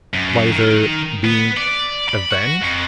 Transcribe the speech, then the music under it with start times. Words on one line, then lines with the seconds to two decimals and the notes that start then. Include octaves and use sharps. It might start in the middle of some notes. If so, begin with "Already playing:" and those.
By their being avenged?
0.14 F#2
0.51 D#3
1.25 B3
1.57 D5
2.09 B5
2.30 F#4
2.61 F2